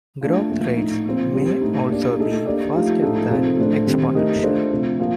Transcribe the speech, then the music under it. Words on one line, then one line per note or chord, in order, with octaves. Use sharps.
Growth rates may also be faster than exponential.
A3 D4 F4
A#2 F3 A3
A2 A3 D#4
A#2 F3 C4
G3 C4 G4
A2 A3 D#4
A#3 D4 G4 D5
A3 D#4 A4 D#5
A#3 D4 G4 D5
F3 A3 D#4 G4
A2 F3 A3 D#4 A4
C3 F3 C4 D#4 A4
A2 A3 D4 A4 C5
C3 D#3 G3 C4
A3 D#4 G4 A#4 D#5
A3 D4 F4 A4 C5
C3 F3 A3
A#2 F3 A#3